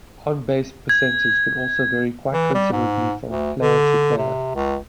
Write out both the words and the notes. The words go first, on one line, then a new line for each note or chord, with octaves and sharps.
On-base percentage can also vary quite considerably from player to player.
G#6
E3
G3
G#2
D2
D3
C3
C#2